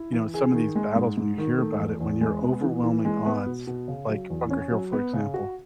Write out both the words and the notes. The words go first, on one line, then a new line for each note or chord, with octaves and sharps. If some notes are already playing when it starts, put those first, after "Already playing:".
you know, some of these battles when you hear about it, when you're overwhelming odds like Bunker Hill, for example,
Already playing: E4
E3
G#4
D#3
G#3
G#2
G#2
D#3
A3
E2
E2
G#3
B3
E3
E3
G#3
B3
B2
B2
C#3
F#3
E2
C#4
F#3
B3
C#3
F#4